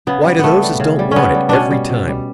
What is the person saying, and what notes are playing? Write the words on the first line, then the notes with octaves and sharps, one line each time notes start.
Why, to those as don't want it, every time.
C#3 B3
G3
C#3 A3 B3
G3
C#3
G3
C#3 B3 C#4
G3
B2 C#4 D4
G3
B2
G3